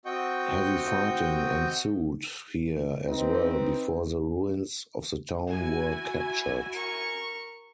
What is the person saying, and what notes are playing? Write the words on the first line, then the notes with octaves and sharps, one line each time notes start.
Heavy fighting ensued here as well before the ruins of the town were captured.
C4 F#4 D#5 G5 C#6 G6
C4 D#4 B4
E4 F#4 G#5
A#4 C#6